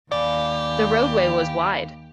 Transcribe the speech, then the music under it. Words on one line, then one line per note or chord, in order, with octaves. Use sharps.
The roadway was wide.
D#2 G4 D5 F5 G#5 B5